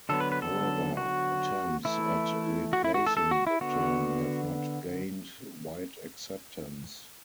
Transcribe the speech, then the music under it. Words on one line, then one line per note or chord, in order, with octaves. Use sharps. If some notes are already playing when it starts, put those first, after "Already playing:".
However, attempts at replacing the term have not gained wide acceptance.
D3 F#3 B3 A4
B4
B4
A4
F#4
E3 A3 E4
F#4
E4
F#4
A4
A4
F#4
E4
D3 B3 F#4